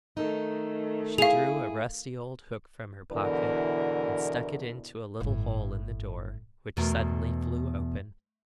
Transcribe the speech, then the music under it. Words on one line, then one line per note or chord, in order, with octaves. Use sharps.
She drew a rusty old hook from her pocket and stuck it into a little hole in the door, which suddenly flew open.
D#3 A3 D#4 A4
E4 G#4 F5 F7
E2 B2 D3 E3 A#4 D5
G1 A2
E2 B2 A3 A#4